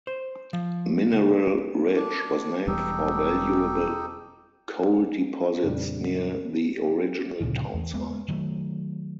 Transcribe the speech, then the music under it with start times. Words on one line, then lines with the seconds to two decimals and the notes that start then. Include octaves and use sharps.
Mineral Ridge was named for valuable coal deposits near the original town site.
0.07 C5
0.53 F3
1.12 C#3
1.96 D4
2.67 E1 E2 G3 D#4 G4 A4
5.64 F2 A#2 C#3 G3 C4 D4
7.41 D2 A#2 C#3 F3
7.74 E2
7.94 G#3 A#3 B3
8.29 D#3 F#3 G#3 A3